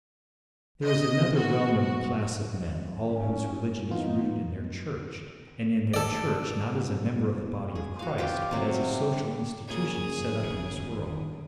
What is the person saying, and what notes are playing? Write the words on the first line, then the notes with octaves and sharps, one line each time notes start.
There is another well- known class of men all whose religion is rooted in their church, and in their church not as a member of the body of Christ, but as a social institution set up in this world.
D#5
F#4
F#4
C#4
E3 B3 D#4 F4
A4 D5
G#4
F#4 F5
F4 G4 G5
C3 F#3 C4
G3
A#2 C#3 G#4
G1 D#2 B2 D3 D#3